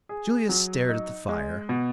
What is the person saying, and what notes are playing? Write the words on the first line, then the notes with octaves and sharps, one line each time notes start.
Julius stared at the fire.
G#4
F#3
D#4
G#3
B2